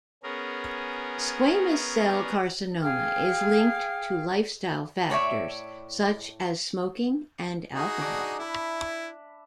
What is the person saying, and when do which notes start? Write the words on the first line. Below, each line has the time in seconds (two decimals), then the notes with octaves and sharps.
Squamous-cell carcinoma is linked to lifestyle factors such as smoking and alcohol.
0.23 B3 C#4 G#4 A#4
2.81 G#4 F5 G5 F6
5.10 A2 C#5 D5 E5
7.73 D#4 F#4 G#4
8.02 D4 D6
8.39 E4 E5 B5